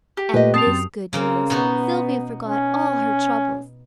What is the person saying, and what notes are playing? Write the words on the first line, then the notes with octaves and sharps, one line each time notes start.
At this good news Sylvia forgot all her troubles.
G4
A#2 A3 B4 D#5
C4 A5 D#6 C7 F7
F#2
C#3 A#3 C4
B2 B3 D#4 F#4
C#4